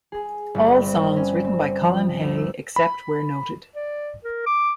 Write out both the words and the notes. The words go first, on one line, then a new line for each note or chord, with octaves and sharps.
All songs written by Colin Hay, except where noted.
G#4
G1
C4
C#4
C4
F3
D2
E6
B5
D5
A#4
D6